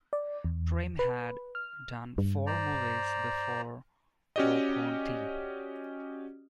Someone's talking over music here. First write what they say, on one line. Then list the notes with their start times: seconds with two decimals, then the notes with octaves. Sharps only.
Prem had done four movies before Woh Kaun Thi?
0.13 D5
0.44 E2
0.99 B4
1.55 F6
2.18 G2
2.47 C5 D5 A#5
4.36 C#4 F#4 G4 D5 D#5